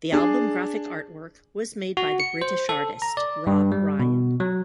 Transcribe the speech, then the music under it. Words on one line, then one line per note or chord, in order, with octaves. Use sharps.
The album graphic artwork was made by the British artist Rob Ryan.
D4 G#4
F#4
C#7
C5
A4
A#5
D5
G2
G3
B2
F#3